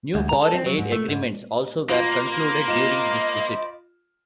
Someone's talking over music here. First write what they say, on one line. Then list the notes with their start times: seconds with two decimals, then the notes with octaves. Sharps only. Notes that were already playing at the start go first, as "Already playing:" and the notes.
New foreign aid agreements also were concluded during this visit.
0.15 D2
0.29 A#5
0.42 A4
0.54 C4
0.66 F#3
0.79 G#2
0.92 A3
1.08 G#2
1.89 A#3 F4 C5 B5 D6 F7
2.68 F4 D#5 E7